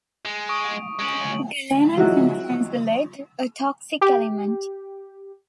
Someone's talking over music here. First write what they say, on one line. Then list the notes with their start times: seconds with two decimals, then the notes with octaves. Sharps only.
Galena contains lead, a toxic element.
0.25 G#3
0.49 C#6 D#6 D7
1.00 G#3 C#4 D7 F#7
1.97 F3 F#3 G#3 D#4 E4 F#4
4.01 G4